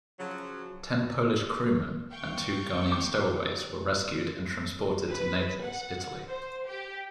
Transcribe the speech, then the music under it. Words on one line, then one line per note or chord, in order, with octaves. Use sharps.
Ten Polish crewman and two Ghanian stowaways were rescued and transported to Naples, Italy.
C#3 F3 F#3
F5 G5 C#6
D6
B4
F#5
C5
G4